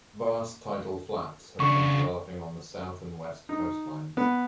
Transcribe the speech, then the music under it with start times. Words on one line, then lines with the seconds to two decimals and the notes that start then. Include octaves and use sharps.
Vast tidal flats have been developing on the south and west coastlines.
1.60 C#3 D4 C#6
3.49 D#4
4.17 B3